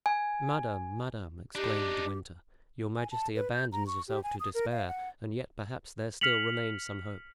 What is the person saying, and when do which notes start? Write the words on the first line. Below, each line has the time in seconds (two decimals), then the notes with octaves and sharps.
"Madame, madame," exclaimed De Winter, "your majesty abandons yourself to despair; and yet, perhaps, there still remains some hope."
0.06 G#5
1.55 D4 D#4 G4
2.96 G#5
3.11 A5
3.35 B4
3.54 G6
3.72 A#5
3.87 C#6
4.08 G4
4.24 G#5
4.40 D#6
4.54 A#4
4.72 F5
4.87 F#5
6.21 F6 B6 C#7 F7 F#7